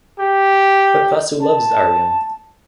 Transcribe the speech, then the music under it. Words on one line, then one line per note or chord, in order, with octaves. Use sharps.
But Vasu loves Arjun.
G4
A5